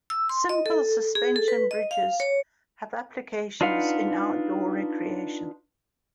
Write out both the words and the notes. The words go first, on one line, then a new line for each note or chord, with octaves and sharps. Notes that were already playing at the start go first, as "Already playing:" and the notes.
Simple suspension bridges have applications in outdoor recreation.
E6
C6
D#5
A4
G#4
A4
B4
D#5
F5
C#5
D4 D#4 F4 B4 F5 F#5